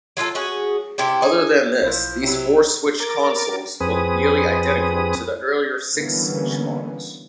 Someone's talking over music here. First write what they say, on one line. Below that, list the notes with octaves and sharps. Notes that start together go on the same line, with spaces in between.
Other than this, these four-switch consoles looked nearly identical to the earlier six-switch models.
F#3 F4 G4 A4
C#4 F#4 G#4
C3 E4 G4 C5
D#4 G#4
B1 F3 E4 C5
C3 F#3 E4
A#4 D6 A6
F2 C4 G#4 B4 D#6
D3 E3 G3 A#3 B3 C#4